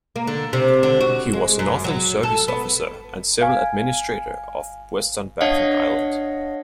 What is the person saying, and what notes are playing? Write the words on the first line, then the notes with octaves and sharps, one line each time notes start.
He was a northern service officer and civil administrator of western Baffin Island.
A#3
D3
C3
D3
F#4
G#3
F#2
F#3
A4
B3
F5 G#5
D4 C#5 D#5 F5 F#5